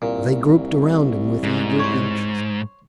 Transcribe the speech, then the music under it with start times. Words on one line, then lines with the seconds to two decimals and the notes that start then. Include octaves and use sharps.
They grouped around him with eager interest.
0.02 C2 A#2
1.43 G#2
1.80 C5 C#5